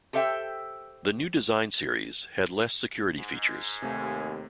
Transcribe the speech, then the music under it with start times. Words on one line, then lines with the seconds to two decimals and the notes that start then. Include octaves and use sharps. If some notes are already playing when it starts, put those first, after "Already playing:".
The New Design Series had less security features.
0.13 G4 A4 C5 E5 G5
3.17 G#2
3.82 D#2 C3 A3 G#5